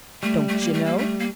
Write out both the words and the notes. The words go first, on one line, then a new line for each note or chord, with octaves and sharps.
Don't you know?
G3 A3
A3
A#3
A3
A#3
A3
A#3